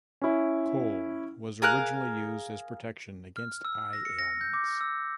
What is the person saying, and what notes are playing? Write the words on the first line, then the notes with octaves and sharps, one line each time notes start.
Kohl was originally used as protection against eye ailments.
C#4 E4
G#4 A#4 F5 F#6
F6
E6
A#6
C#7
A#6
G6
D6
E6